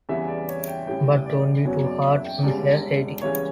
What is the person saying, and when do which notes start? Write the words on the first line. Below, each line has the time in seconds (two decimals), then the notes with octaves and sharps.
But don’t be too hard on her, Heidi.
0.09 E2 C#3 E3 G3 E5
0.28 D5
0.49 C#5
0.68 G5
0.87 A1 A2 G3 G5
1.26 D5
1.65 F#1 E2 B2 F#3 C#5
1.85 D5
2.05 E5
2.25 G5
2.43 E1 E2 C#3 G3 D5
3.22 E2 C#3 E3 G3 C#5